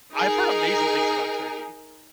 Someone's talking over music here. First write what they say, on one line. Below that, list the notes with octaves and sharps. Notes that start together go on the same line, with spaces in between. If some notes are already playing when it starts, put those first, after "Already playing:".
I I've heard amazing things about Turkey.
D#4 G#4 A#4